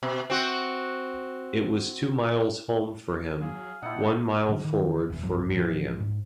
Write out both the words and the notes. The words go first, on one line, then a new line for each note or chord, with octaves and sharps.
It was two miles home for him, one mile forward for Miriam.
B2
C4 F#4
F#3 G#4 F5
A#2 D#4 E4 G4 F#5 A5
A2 D3 F#3 A3
D#3
F1 E2
C2 G2 F3 F#3
A2 E3 F3
G#2